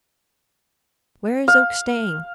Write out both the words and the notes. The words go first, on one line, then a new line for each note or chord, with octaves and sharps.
"Where is Oak staying?"
F5